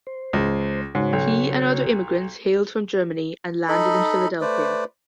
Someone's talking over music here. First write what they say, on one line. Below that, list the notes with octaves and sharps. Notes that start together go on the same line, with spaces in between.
He and other immigrants hailed from Germany and landed in Philadelphia.
C5
C#2
G#2 C#3 F#4 C#5
B1
D#4 A4 D#5 B5
A3 B4 C5 D5